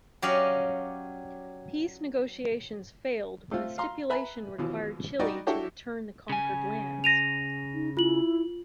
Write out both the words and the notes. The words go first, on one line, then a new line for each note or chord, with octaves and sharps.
Peace negotiations failed when a stipulation required Chile to return the conquered lands.
F#3 C#4 G4 D5 D#5 F5
A3 C4 F4
F5 A#5 C6
B4 E5 G#5 A#5 B5
D#2 B2 E3 F3
G3 D#4 F#4 D5 D#5
D4 E4 F#4 G4 A4 C#5
C#3 G#5
A#6 D#7 F7
D#4
E4 F4 F#7